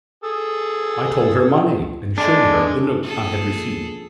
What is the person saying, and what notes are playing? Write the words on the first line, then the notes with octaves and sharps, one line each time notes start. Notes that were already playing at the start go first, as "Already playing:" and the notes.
I told her my name, and showed her the note I had received.
G#4 A4
G#3 A3 D4
A#1 G#4 A4